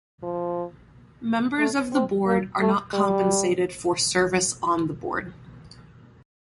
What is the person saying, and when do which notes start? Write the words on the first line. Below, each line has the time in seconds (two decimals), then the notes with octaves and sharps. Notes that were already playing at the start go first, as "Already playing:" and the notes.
Members of the Board are not compensated for service on the Board.
0.23 F3
1.58 A3
1.93 C4
2.26 A#3
2.60 A3
2.94 G3